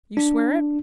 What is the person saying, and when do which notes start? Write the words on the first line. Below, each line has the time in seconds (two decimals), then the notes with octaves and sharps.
You swear it?'
0.17 D4